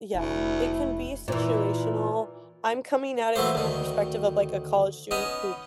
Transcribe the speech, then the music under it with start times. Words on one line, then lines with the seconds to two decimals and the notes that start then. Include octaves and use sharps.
Yeah. It can be situational. I'm coming at it from a perspective of, like, a college student who
0.14 F1 D2 E4
1.28 A#2 E3
3.36 E3 F#3 A3 A#3 C5
3.55 D2 D#3
5.11 B3 C#4 D#4